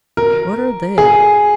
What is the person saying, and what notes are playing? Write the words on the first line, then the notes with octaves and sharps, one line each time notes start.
"What are they?"
A#4
G#4